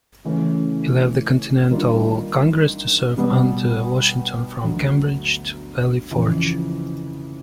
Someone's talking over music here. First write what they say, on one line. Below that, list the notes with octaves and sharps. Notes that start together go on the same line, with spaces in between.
He left the Continental Congress to serve under Washington from Cambridge to Valley Forge.
C#3 E3 A3 C#4
D#3 G3 A#3 D4 F4
B2 G3 B3
D2 D3 F#3
F2 C#3 E3